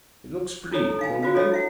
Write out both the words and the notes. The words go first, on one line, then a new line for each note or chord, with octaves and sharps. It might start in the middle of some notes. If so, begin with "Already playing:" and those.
It looks pretty, don't you think?
D4 E4 A4 C#5 A#5
A4 A#5
D#4 F5 G#5
F4 F#4 B4 C5 F5
D4 A4 C#5 D#5
E4 E5 F#5